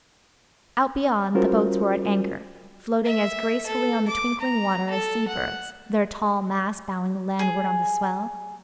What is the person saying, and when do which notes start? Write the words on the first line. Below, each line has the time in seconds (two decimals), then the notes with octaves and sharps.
Out beyond, the boats were at anchor, floating as gracefully on the twinkling water as sea birds, their tall masts bowing landward on the swell.
1.35 G3 C#4 F4 F#4 A#4 C5
3.04 E5
3.66 A4
4.07 D6
4.40 A#5
4.90 A4
5.28 F#5
7.39 G#4